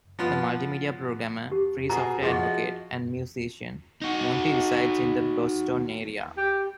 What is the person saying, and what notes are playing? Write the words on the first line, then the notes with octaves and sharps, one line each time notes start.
A multimedia programmer, free software advocate and musician, Monty resides in the Boston area.
F3 B3 F4
G4
B2 G#4 A#5
F3 F4 F#4 G#4 D#5 F#5
D#5
D#4 F#4
G4